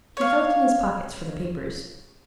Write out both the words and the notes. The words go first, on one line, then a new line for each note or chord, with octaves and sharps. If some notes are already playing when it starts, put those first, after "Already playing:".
He felt in his pocket for the papers.
C#5 F5